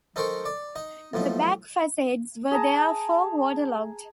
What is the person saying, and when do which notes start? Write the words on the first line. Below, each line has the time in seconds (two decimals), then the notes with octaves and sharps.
The back facades were therefore water-locked.
0.16 D#4 A4 A#4 C5 G5 C#6
0.45 D5
0.76 D#4 D#5
1.14 B1 A2 F3 D#4
2.51 G#4 A5 A#5